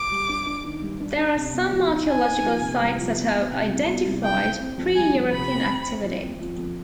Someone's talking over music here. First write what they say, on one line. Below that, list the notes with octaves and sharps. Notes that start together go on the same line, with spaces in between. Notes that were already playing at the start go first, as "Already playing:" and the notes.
There are some archaeological sites that have identified pre-European activity.
Already playing: D6
G3
D4
D4
D#3
G2
D4
D4
C3
B3
F3
D#4
D#4 G#5
D#4
F3
C3
C2
F3
B3
B3
C3
C2
B3
C2
C4 G5
C4
C4
F2
G3 G#5
F2
C3 B5
C4
C4
C4
F3
C4
F3
F2